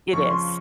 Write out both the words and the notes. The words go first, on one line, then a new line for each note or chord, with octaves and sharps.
It is.
F2 C#3 F3 C#6
C6